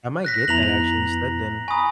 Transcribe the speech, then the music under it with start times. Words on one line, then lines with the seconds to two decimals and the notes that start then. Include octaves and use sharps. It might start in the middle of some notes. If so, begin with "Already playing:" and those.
I might get that actually instead then,
0.25 F#6 A#6 B6
0.48 F2 B3 E4 A#5 F7 F#7
1.68 G#5 A#5 B5 C#6 D#6